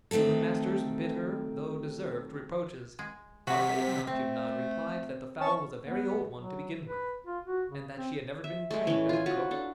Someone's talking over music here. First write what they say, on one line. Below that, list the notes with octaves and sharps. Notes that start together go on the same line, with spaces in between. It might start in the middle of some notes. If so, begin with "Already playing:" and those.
To her master's bitter, though deserved, reproaches, Marfa Ignatyevna replied that the fowl was a very old one to begin with, and that she had never been trained as a cook.
D#3 F#3 A3 C4 A4
G#3
C3 F#4 B6
A3 C4
C#4 A5 C#6
B3
F#3
B4
F4
F#4
C#3
C4
E5
G#3 A3
E3 G#3 C#4
F4 G#5
F4 F#4 B4
D4 A4